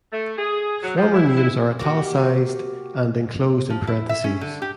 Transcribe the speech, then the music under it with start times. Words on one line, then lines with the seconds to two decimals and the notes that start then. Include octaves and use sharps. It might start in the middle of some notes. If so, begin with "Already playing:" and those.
Former names are "italicized" and enclosed in parentheses.
0.12 A3
0.38 G#4
0.82 F#3
0.97 F3
1.14 E4
1.37 E4
1.79 A#3 F#4 G4
3.70 F3
3.87 E4
4.09 E5
4.24 C#4
4.41 D3
4.62 G4